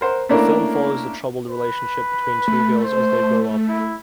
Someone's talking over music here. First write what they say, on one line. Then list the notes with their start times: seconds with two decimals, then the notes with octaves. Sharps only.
The film follows the troubled relationship between two girls as they grow up.
0.01 A#4 C5 F#5
0.29 A3 A#3 C#4 D4 E4 A#4
1.50 B4
2.48 A3
2.84 C5
3.69 E4